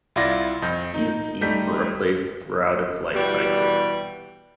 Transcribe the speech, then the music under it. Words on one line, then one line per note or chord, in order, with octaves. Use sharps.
These teeth were replaced throughout its life cycle.
C2 E4 F4 D5 A#6
F2 D#5 G6
D#4
G3 A3 D#4 G6 B6
B2 E3 G3